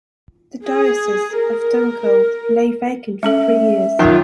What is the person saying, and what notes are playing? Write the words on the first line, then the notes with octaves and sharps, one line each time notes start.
The diocese of Dunkeld lay vacant for three years.
G#4
A#4
G#3 C#4 A4 E5
F#2 D#3 F4